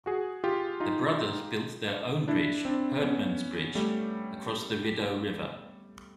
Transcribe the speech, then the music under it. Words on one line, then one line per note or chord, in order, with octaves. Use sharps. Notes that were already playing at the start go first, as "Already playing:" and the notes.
The brothers built their own bridge, Hurdman's Bridge, across the Rideau River.
F#4 G#4
F4 G4
D#4 F4
D4 E4
C4 D4
B3 C#4
G3 A3